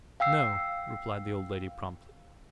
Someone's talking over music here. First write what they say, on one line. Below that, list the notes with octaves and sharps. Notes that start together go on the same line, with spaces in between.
"No," replied the old lady, promptly.
F5 G5 E6 C7